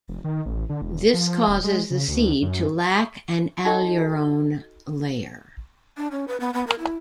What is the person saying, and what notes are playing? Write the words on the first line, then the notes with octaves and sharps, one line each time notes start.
This causes the seed to lack an aleurone layer.
F1
D#3
A1
D3
E1
F3
D#1
G#3
C#3
D2
F#2
D#4 F#4 A4 D#5 G5
D4
C#4
B4
B3
B3
A#4
E4